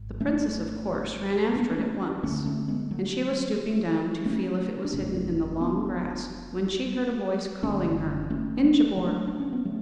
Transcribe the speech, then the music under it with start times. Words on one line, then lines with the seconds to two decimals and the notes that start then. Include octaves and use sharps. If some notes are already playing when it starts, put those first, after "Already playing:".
The princess of course ran after it at once, and she was stooping down to feel if it was hidden in the long grass, when she heard a voice calling her: 'Ingibjorg!
Already playing: G#1 G#2
0.20 A3 C#4
1.55 B3 D4
1.78 A3 C#4
2.23 D2 D3 A3 C#4
2.46 A3 C#4
2.68 G#3 B3
2.91 F#3 A3
4.26 A3 C#4
4.85 D4
4.93 F#1 E2 C#3 A3 C#4
5.61 B3 D4
7.63 F#1 F#2 D3 A3 C#4
8.30 A3 C#4
8.57 C#4
8.64 G#3 B3
8.97 F#3 A3
9.27 D4
9.40 C#4
9.53 B3
9.65 F#3 A3